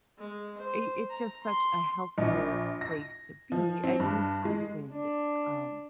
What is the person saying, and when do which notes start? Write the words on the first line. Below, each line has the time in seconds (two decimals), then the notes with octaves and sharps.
i it's just such a healthier place to be, and we have been, um,
0.19 G#3
0.58 C5
1.11 A#5
1.44 C6
2.18 A#1
2.81 A#6
3.52 F3
3.84 C4
4.00 G2
4.45 G#3
4.90 D4